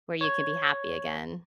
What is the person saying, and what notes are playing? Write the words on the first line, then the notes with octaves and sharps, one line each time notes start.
where you can be happy again.
C#5